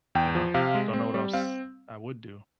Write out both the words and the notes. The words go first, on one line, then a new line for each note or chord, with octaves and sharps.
you know don't know what else I would do.
E2 G5
F3
C3 F5
G#3
C4
G3
C4 F5